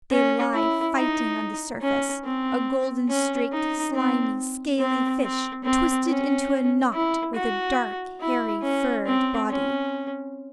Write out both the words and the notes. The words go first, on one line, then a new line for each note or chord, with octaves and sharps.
They lie fighting on the surface--a golden-streaked, slimy, scaly fish twisted into a knot with a dark, hairy, furred body!
C#4
E4
D#4
C#4
C4
C#4
D#4
C4
C4
C4
C4
C#4
E4
F#4
E4
C#4
C4
C#4